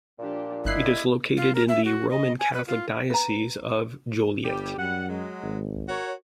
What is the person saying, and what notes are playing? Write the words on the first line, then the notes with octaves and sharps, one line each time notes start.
It is located in the Roman Catholic Diocese of Joliet.
A#2 F3 D4 G4
G1 E4 D#5 F#6 C7
F4
A#4
E5
F#4
D#5
G#5
B4
F4
B4 A#5
G1 G3 G4
F#2 G3 F#5
F#3 G#3
G#1
F#4 A#4 C#5